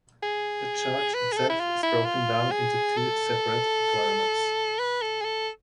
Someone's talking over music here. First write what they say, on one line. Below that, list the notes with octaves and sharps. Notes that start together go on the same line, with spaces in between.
The charge itself is broken down into two separate requirements.
G#4
B4
G#4
A4
E4
F4
E4
F4
G#4
A4
B4
A4
G#4
A4